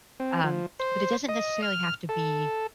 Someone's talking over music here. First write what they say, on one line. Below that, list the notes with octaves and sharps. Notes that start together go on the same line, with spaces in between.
um, but, it doesn't necessarily have to be,
C4
F3
C5
D#5
F6
A4